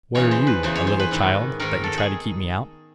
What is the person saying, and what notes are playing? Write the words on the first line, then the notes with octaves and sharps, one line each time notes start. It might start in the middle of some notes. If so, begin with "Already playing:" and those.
What are you, a little child, that you try to keep me out?
E2 C#3 E3 C#5
C5
B4
E2 C#3 E3 C5
C#5
C5
B4
G#2 D#3
G#2 D#3 A#4
A4
G#4